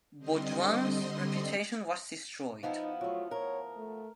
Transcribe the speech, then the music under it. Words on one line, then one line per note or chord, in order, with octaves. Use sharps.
Beaudoin's reputation was destroyed.
D3 G3 C4 D#5 C6
F3 B3 D#4 E4
F#3 A3 F4
A#4 C#5
A3